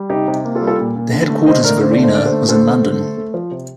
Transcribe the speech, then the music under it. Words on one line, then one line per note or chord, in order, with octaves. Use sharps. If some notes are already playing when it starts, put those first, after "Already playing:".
The headquarters of "Arena" was in London.
Already playing: G3
C3 D#4 G4
C3
A#3
F4 A4
G3
F4 A4
A#2
A#2
D3
A3
D3 C5 D#5
A3 A#4 D5
D3 C5
D5
A3 C5
D3 D5
A4 C5
A3
D3 A4 C5
A3
D3
A3
A3
F3
C3